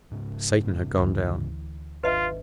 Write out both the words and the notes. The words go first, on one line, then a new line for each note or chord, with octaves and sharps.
Satan had gone down.
G#2 C#3 C#4
D2 E3
G#1 D4 F4 B4 D#5 E5